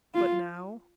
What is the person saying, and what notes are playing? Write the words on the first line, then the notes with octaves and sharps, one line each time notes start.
But now?
F4